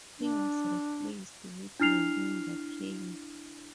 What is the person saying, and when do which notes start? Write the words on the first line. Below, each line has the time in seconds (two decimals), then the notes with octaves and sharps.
He was replaced with Melinda Kane.
0.20 D4
1.80 D4 E4 F6 C7 F7